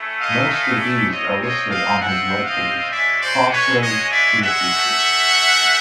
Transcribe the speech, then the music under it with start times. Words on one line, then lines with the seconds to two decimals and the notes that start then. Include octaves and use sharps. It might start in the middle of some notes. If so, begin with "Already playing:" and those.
Most of these are listed on his webpage, "Crossroads to the future".
Already playing: A3 C#4 E4
0.20 D#5 F5
0.49 D#5 F5
0.79 D5 E5
1.10 C4 F4 C#5 D#5
1.40 C#5 D#5
1.70 D#5 F5
2.00 E5 F#5
2.45 D#5 F5
2.91 G#3 C#4 F#4 D5 E5
3.20 C5 D5
3.51 B4 C#5
3.81 C#5 D#5
4.11 D5 E5
4.41 E5 F#5
4.72 A3 C#4 F#4